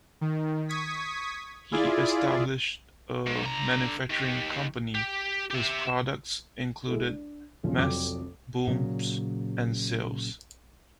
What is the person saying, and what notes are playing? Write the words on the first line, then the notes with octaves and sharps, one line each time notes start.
He established a manufacturing company whose products included masts, booms, and sails.
D#3
C#6 D#6 G#6 B6
E4 F4 G#4 D5
G#2
D3 A#5
D#3 G4
G4
G4 E5
G#3 E4 A4
D4
E1 B1 F3 C#4
F1 F2 F#3 D6
A#2 C#3 F#3